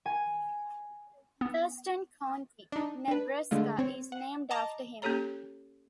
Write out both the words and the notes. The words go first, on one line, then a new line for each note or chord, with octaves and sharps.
Thurston County, Nebraska is named after him.
G#5
B3
D4 D#4
D4 B4
D3 G#3 A3 F4
C4 C#5
F#5
D#5 A5 A#5 D6
A#3 C#4 G4 A4 C#5 A#5